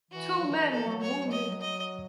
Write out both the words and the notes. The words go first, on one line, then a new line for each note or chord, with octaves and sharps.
Two men were wounded.
E3 F#4
F#3
D#3
E3
E3 A4
F#3
C#5
G#3
F#3 D#5
F#3
D#5